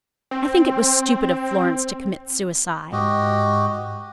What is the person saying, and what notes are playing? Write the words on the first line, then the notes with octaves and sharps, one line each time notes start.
"I think it was stupid of Florence to commit suicide."
C4
G#2 F#4 G4 D#5